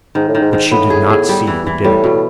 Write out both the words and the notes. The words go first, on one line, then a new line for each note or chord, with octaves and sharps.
But she did not see who did it.
G#2 D#3
A2
D#3
G#2
D#3
A2 B3
G#4
G#4
G3
E3
E3
A2 G3
B2